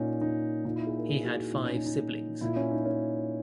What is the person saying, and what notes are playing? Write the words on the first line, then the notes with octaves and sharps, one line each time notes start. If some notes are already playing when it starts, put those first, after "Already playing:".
He had five siblings.
Already playing: A#2 C#4 D#4
D#4
A#2 D#4
E4
G#4
A#4
G#4
F#4
E4
A#2 D#4
C#4
D#4
D#4
A#2 E4
C#4
D#4
C#4